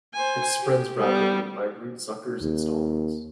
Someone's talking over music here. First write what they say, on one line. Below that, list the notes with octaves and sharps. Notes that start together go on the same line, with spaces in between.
It spreads rapidly by root suckers and stolons.
C5 G#5
G4
G3 B3
D#2